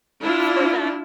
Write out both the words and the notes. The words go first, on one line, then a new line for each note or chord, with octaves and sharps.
for that
D4 E4 F4